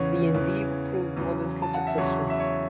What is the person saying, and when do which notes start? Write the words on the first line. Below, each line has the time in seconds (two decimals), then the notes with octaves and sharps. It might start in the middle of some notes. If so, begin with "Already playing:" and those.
The endeavor proved modestly successful.
Already playing: E2 C#3 E3 C#5 F#5
0.34 E2 C#3 E3
1.17 E2 C#3 F#3
1.62 A5
1.74 F#5
1.87 E5
1.98 E2 C#3 F#3 C#5
2.30 E5
2.40 C#5